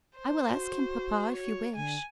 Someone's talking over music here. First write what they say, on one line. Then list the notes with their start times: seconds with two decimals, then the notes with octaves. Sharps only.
"I will ask him, papa, if you wish."
0.19 C5
0.48 F#4
1.35 C#5
1.76 D3 G#5